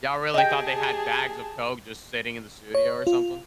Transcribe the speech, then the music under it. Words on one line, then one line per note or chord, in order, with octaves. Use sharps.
Y'all really thought they had bags of coke just sitting in the studio or something?"
G4 G#4 D#5 G5 A5
C#5
F4